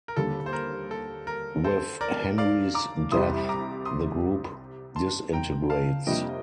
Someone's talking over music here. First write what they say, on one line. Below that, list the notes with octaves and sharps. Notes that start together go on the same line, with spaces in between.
With Henry's death, the group disintegrates.
A#4
D#2 D3 G3 A4
C5
A#4
A4
A#4
A4 C5
A#4 D5
D5 F5
A#5 D6
C2 C3 G3 C6 D#6
A#5 D6
C6 D#6
A5 C6
G5 A#5
F5 A5
F2 C3 G3 A#3 D4 D#5 G5